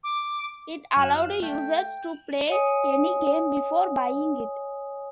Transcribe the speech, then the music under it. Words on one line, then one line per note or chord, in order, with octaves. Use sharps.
It allowed users to play any game before buying it.
D6
F#2 F5 F#6 E7
A3 G5
C#5 D#5 G#5 D#6